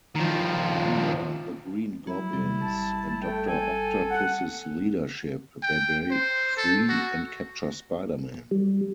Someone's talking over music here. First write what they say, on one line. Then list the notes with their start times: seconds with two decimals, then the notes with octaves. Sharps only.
Under the Green Goblin's and Doctor Octopus's leadership, they break free and capture Spider-Man.
0.16 D#3 F3
2.07 F#3 E4
2.33 C3 G3
2.62 G#1 A5
3.22 A3 G5
3.47 A4 G5 G#5
4.11 F#5
5.63 G5
6.11 C5
6.57 A4
6.89 F#4
8.51 G3